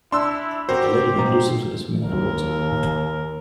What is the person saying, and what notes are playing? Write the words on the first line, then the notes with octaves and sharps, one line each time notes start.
A lady in a blue swimsuit is swimming underwater.
D4 E4 C6 E6
C4 F#4 G4 A#4 C5
B2 A#5
D#2 A#4